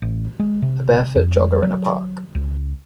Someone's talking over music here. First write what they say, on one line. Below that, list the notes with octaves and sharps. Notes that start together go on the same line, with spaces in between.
A barefoot jogger in a park.
A1
G#3
C3
F2
F#3
C#2